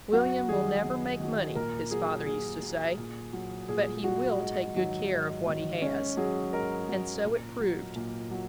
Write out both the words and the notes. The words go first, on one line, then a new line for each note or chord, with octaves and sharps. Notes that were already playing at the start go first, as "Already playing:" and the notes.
"William will never make money," his father used to say; "but he will take good care of what he has." And so it proved.
F#2 F#4
D#3 F#3 G#4
F#2
D#3 F#3
A#2 A#4
F#3 G#4
A#2 G#4
F#3
A#2
F#3
A#2 G#4
F#3 F#4
G#2
D#3 F#3
G#2
D#3 F#3
G#2 C#4
F#3 G#4
G#2 A#4
F#3
A#2
F#3
A#2
F#3